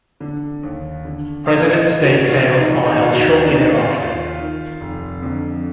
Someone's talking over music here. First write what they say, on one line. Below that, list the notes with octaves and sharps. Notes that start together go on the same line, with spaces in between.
Presidents' Day sales are held shortly thereafter.
D3
D#2
D3
A#1 F5
D#5
G#2 D#3
F#4
A#1 F4
D#4
G#2 D#3
D#4
F4
D#2 F#4
D4
D#3 D#4
F4
D#2
D#3
F1
F2 D3